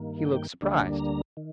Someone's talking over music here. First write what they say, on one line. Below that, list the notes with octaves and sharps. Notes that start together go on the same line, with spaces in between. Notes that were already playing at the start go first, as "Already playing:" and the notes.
He looked surprised.
Already playing: G2 D#3 A#3
G5
D2 D3 G3 A#3 D4
A#5
D#3